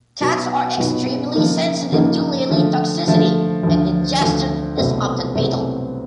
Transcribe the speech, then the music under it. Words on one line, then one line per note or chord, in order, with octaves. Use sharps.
Cats are extremely sensitive to lilly toxicity and ingestion is often fatal.
B2 F#3 B3 D#4 F#4
B2 F#3 B3 D#4 F#4
C#3 F3 A#3 D#4
C#3 F3 A#3 D#4
D3 F3 A3
D3 F3 A3
D2 D3 F3
D2 D3 F3
C2 B2 F#3 A3 C4
C2 B2 F#3 A3 C4